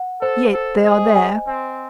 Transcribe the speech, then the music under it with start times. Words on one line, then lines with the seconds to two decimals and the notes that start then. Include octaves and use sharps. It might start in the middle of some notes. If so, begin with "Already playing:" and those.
Yet they are there.
Already playing: F#5
0.21 A4 C5
0.54 A4 C5
0.84 G#4 D#5
1.16 G#5
1.47 C4 G#5